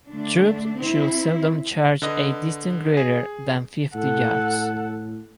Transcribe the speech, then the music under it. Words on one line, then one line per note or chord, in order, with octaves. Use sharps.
Troops should seldom charge a distance greater than fifty yards.
D3 A3 D4
C4 E4
D3 B4 D#5
G#4
A2 A4 F#5